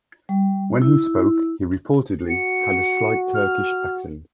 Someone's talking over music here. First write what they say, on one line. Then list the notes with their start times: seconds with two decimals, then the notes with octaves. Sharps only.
When he spoke, he reportedly had a slight Turkish accent.
0.29 G3
0.82 E4
2.30 F#4 C#7
3.34 F6